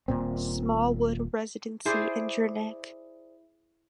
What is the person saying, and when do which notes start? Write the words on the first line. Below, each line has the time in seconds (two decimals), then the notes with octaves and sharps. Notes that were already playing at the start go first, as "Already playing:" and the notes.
Small wood Residency in Drennec.
0.08 D#1 B1 A#2 C4
1.85 E4 G#4 C5 D5